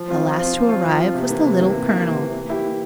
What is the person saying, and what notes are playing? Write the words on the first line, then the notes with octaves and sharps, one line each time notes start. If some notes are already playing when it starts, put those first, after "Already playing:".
The last to arrive was the Little Colonel.
Already playing: F3
C4 F4
F3
C4 F4
F3
C4 F4
F3
C4 F4
C3
E3 A#3
C3
E3 A#3
C3
E3 A#3
C3
E3 A#3
E3
A#3 E4 G4
E3